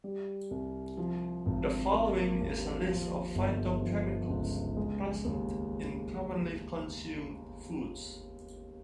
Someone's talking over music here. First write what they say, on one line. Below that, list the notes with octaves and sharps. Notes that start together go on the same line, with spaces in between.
The following is a list of phytochemicals present in commonly consumed foods.
G3
C2
F3
G#1
A#3
D#2
F3
G1
F3
C#2
G#3
D#2